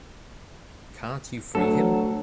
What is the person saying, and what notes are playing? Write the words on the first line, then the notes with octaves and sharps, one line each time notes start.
Can't you free him?
D2 F#3 A4